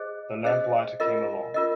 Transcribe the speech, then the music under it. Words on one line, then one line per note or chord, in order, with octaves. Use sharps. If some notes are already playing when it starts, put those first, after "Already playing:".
The lamplighter came along.
Already playing: G#4 C5 D#5
G#4 C5 D#5
F4 A#4 D#5
F4 A#4 D#5